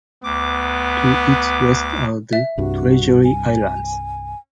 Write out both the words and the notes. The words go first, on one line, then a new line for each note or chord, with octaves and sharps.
To its west are the Treasury Islands.
D2 B3 D6
E5
C2 G2 F#4
G#5